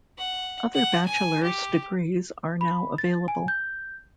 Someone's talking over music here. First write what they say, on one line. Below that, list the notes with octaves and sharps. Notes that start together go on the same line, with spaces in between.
Other bachelor's degrees are now available.
F#5
F#5
G#5
G4
B5
A6
G#5
G6